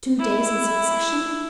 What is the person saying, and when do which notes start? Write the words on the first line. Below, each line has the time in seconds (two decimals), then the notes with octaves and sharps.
Two days in succession!
0.19 E4